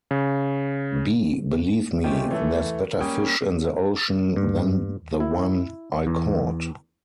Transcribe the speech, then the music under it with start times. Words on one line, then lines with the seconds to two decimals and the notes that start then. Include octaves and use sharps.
B: Believe me, there's better fish in the ocean than the one I caught.
0.11 C#3
2.04 C3 G#3 A3 C#4 F4 G4
2.31 E3 A3 A4
3.00 G3 A#3 C#4 G5 D#6
4.36 G2
5.20 E4
6.07 E2